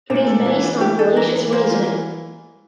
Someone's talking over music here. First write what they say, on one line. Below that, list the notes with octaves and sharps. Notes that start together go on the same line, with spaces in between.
It is based on fallacious reasoning.
A#2 D4
A4
E3 E4
D4 F4
E3 G4
D4 A4
E3 A#4
E3
A#3 C5
E3 F4